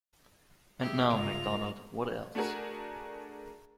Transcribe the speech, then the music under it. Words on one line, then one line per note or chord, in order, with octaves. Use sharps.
And now, Mcdonald, what else?
G4 G#4 E5
G2 C#3 F4 A#4 F7
A3 D4 F#4 G#4 A#4